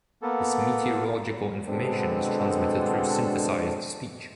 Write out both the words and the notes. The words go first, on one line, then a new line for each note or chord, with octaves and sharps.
The meteorological information is transmitted through synthesized speech.
A#3 B3 A4
B2 D3 G#3 C4 D4 A4